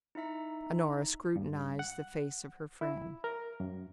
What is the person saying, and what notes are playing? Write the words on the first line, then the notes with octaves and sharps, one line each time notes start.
Honora scrutinized the face of her friend.
D#4 E4 E5 A#5
G2
F#5
E4
A#4
F#2